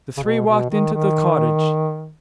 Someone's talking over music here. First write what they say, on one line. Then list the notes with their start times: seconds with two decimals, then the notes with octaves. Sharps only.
The three walked into the cottage.
0.17 C#3
0.23 B2
0.46 B2
0.70 D#3
0.93 D#3